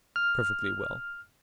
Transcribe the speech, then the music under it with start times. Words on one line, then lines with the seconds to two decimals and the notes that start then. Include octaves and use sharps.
"Perfectly well."
0.16 F6